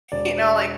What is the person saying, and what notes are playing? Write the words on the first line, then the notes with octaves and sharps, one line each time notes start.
you know, like,
E1 D5